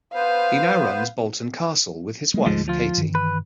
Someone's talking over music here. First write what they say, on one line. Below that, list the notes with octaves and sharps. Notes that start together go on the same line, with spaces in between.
He now runs Bolton Castle with his wife Katie.
B3 B4 C5 F5
G3 G#3 A#3
D2 G#2 F3 G#3
F3 F4
G2 D#3 E3
B4